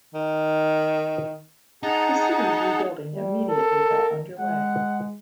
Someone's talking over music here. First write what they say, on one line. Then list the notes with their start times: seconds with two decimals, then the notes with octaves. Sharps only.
The city's re-building immediately got underway.
0.15 D#3
1.83 D#4 G#4 F#5 A5 A#5
3.14 G3
3.49 A4 A#4
4.39 G#3 F#5